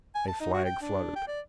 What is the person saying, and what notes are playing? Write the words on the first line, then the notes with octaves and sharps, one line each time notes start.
A flag fluttered.
G#5
A5
D#4
F#4
G5
D4
G5
D5